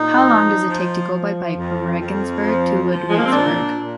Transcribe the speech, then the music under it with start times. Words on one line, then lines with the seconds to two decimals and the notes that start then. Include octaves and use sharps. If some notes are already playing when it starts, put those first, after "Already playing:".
How long does it take to go by bike from Regensburg to Ludwigsburg?
Already playing: A#2 D#4
0.24 F3
0.67 F3
1.12 F3
1.56 F2
2.00 F2
2.45 F3
2.89 F3
3.10 G#3
3.17 A#3
3.26 C4
3.32 A#2 D4
3.78 A#2